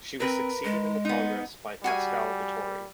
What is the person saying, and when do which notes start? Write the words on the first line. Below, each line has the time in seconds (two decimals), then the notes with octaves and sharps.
She was succeeded in the Congress by Pascal Vittori.
0.20 C4 A#4 B4
0.64 G#3
1.05 B3 D#4
1.84 G3 F#4 G#4 G#5